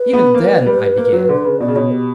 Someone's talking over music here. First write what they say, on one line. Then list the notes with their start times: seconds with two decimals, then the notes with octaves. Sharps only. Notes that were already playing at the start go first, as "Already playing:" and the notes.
"Even then--" I began.
Already playing: B4
0.13 B3
0.34 A#3
0.66 G3
0.97 A#3
1.13 F#3
1.29 D3
1.44 C#3
1.60 B2 D5
1.68 C#3
1.76 B2 C#5
1.92 G4